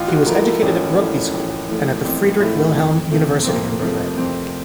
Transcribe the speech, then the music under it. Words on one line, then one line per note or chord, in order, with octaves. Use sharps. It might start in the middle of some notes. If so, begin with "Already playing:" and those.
He was educated at Rugby School and at the Friedrich Wilhelm University in Berlin.
Already playing: A1 F4
F#4
A2 F3 A3 A#4
A4
A1 C#4
A2 F3 A3 C#4
A1
A2 F3 A3
A1 C4
A2 F3 A3
F2
C3 F3 A3
C4
F2 A#3
C3 F3 A3
F2 C4